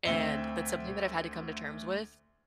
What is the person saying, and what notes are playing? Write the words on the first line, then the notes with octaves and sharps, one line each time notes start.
And that's something that I've had to come to terms with,
D2 C4 E5 G7